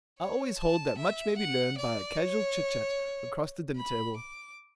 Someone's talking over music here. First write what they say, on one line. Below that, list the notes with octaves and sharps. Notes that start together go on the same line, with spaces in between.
I always hold that much may be learned by casual chit-chat across the dinner-table.
C#5
A5
E5
F#5
D5
C#5
B5
D6